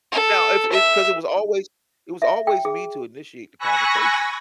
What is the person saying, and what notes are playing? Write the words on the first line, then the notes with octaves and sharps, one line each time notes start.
now if it's 'cause it was always it was always me to initiate the conversation.
A4
E5
E5
G5
G#4
G#5 B5 C#6 E6 F#6 A#6